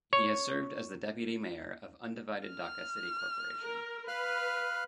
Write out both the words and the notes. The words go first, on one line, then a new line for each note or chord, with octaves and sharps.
He has served as the Deputy Mayor of Undivided Dhaka City Corporation.
C#5
F6
A#4
B4 F5 F6 F#6